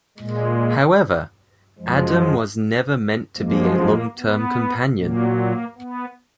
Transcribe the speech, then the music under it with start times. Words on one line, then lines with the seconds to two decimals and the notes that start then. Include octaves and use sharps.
However, Adam was never meant to be a long-term companion.
0.18 A#2 G#3
1.78 F#2 F3 G#3
3.37 F#2 F3 G#3 A#3
3.77 A#3
4.17 B3
4.97 A#2 F#3 A#3
5.37 A#3
5.77 B3